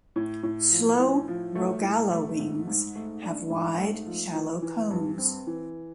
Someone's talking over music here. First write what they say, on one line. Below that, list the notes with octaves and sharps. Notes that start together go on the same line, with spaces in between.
Slow Rogallo wings have wide, shallow cones.
A2
A2
F3
A2
F3
A3
A2
A3
G#2
G#2
A3
D4
G#2
A3
F3
E3
E3
G2
C4
E3